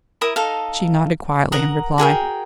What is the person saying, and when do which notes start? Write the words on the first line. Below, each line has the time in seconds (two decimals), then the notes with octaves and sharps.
She nodded quietly in reply.
0.21 E4 A#4 E5 D#6
0.36 D#4 A4 D#5 F5
1.52 A#4 F#5 A#5 D#6
1.98 F#4 G#4 A#4 G5